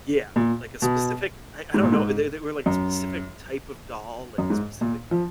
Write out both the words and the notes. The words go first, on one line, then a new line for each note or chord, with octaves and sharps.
Yeah. Like, a specific I I don't know, uh, they they were, like, a specific type of doll, like, a specific
A#2
B2
G#2
A#2
G#2
F#2
F#2
G#2
A#2
F3